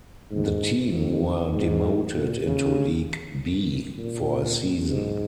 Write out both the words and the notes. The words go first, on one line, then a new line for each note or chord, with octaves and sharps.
The team were demoted into League "B" for a season.
G#2
F2
G#2
A#2
C#3
A#2
G#2